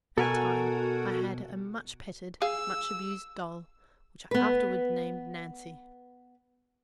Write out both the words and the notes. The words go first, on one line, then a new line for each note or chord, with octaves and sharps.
At that time I had a much-petted, much-abused doll, which I afterward named Nancy.
B2 F#4 A4 A#4 G#5
G#4 F5 E6
B3 B4